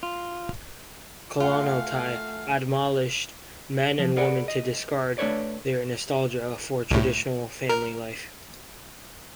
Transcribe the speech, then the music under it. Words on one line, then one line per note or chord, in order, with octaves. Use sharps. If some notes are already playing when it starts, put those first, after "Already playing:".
Kollontai admonished men and women to discard their nostalgia for traditional family life.
F4
A3 F4 F5 F#5 G#5 F#6
F3
G#4 A#4 B4 D5 F#5
D#5
A3 D4 A4 B4 C#5 D5
C2 A2
A#4